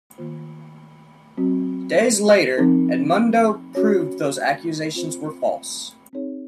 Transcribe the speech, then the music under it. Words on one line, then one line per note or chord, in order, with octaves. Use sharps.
Days later, Edmundo proved those accusations were false.
D#3 A#3 F4 C5
F#3 C4 F#4
F3 C4 D#4 A#4
C#4 F#4 C#5
C4 F4 C5
C4 D#4 G#4 C#5